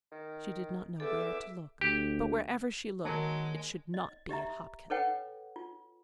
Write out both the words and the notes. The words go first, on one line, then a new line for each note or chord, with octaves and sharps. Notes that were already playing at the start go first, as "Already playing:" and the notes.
She did not know where to look, but wherever she looked, it should not be at Hopkins.
D#3
E2 A4 E5 D6
D2 G4
D#3 F#3 G#3 A#3 A#4 A5
D#5
G4 D#5 E5 A#5
A4 B4 C#5 D#5 F#5 G5
F4